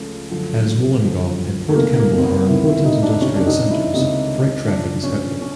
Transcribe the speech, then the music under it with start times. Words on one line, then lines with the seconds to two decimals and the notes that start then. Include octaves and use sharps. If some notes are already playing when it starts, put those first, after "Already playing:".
As Wollongong and Port Kembla are important industrial centres, freight traffic is heavy.
Already playing: C#2 C#3 F3 A3
0.30 F#2 D3 F3
1.03 F#2 D3 F3
1.69 A3
1.75 C#2 C3 D#3 A#3
1.99 A#3
2.18 C4
2.24 B3
2.48 C#2 C3 D#3 E4
2.67 E4
2.85 D#4
3.03 D4
3.21 C#2 C3 D#3 C#4
3.35 D4
3.46 D#4
3.71 E4
3.94 C#2 C3 D#3 D#4
4.67 F#2 C#3 F3 D4
5.04 C#4
5.41 C#4